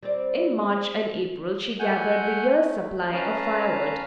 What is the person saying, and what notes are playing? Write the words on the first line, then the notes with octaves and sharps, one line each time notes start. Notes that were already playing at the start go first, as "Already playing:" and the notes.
In March and April she gathered the year's supply of firewood.
G3 C4 D5
A3 F#5 G#5 G6
A3
C#4 B4 F5 A5 A#5